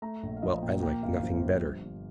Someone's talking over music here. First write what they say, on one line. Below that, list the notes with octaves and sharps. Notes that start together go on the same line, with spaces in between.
Well, I'd like nothing better.
A3 A#5
A#1
F5
F3 D#5
A#2 G5
A#3 G5
G1 F5
F3 C5
G2 C5
G1
G1